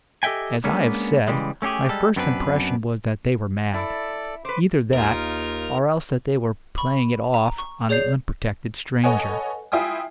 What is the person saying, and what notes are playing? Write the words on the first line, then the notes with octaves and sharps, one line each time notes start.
As I have said, my first impression was that they were mad; either that, or else that they were "playing it off" on the unprotected stranger.
G4 A4 D#5 E5 G5 G#5
G#3 A#3 B3 C#4 D4
C#3 E3 G3 G#3
A3 C#4 D4 G4 G#4
G3 G#3 A4
F#2 B3 C4 D4 F4 B4
E4 A4 D5
B4 C5 D6
D#2 D#4 F4 A#4
B5 C#6
A#5
C#6
G#4 C#5 D5 G6 C7 F7
A4 B4 C#5 D#5 F#5 G#5
E4 F4 E5 G5 G#5 D#6